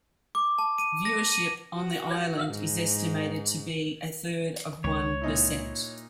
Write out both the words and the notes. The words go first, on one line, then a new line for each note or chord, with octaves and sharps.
Viewership on the island is estimated to be a third of one percent.
D6
A5
D#7
A#6
D#7
F#4
G#2
C#2 C#5
A#2 D#4 E4